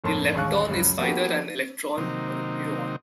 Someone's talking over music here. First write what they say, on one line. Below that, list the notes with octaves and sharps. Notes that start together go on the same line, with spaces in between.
The lepton is either an electron or a muon.
G1 F2 A2 A#3 A5 C6
A1 D#2 G#3 F5 C#6 F#6
C#2 F#2
F3 A#3 B3 F#4 G4
C3 D#3 F#3 A#3 C4 D#4